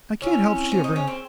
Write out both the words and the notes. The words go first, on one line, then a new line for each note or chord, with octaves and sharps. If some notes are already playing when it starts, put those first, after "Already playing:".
I can't help shivering.
C#4 E4
C4
C#4 C5
D#4
C#4 G#4
C4